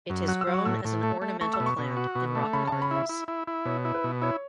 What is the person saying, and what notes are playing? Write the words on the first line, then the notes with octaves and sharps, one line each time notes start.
It is grown as an ornamental plant in rock gardens.
F#2
F#3 F#6
E6
F#3
C#6
A2 E6
A2
A3
A3
A3 C#6
E6
B2
C#6
B2
F#4
B2
A3
C#3 B5
C#3 A5
B5
E4 E5
E4
E4
E4
B2 C#5
E4
B4
B2
E4 C#5